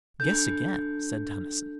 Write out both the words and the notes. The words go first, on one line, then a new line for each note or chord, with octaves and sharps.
"Guess again," said Tennyson.
D4 A4 G6